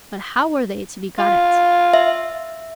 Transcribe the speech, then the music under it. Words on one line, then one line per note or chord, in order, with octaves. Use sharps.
But how were they to be got at?
F4
E5